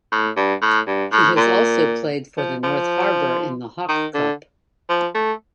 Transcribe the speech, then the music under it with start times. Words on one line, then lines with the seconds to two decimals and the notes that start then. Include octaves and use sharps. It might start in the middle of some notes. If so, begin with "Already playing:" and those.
He has also played for the North Harbour in the Hawke Cup.
0.12 A2
0.37 G2
0.62 A2
0.87 G2
1.12 A2
1.37 A#2
2.38 F3
2.63 F3
3.89 D#3
4.14 D3
4.89 F3
5.15 A3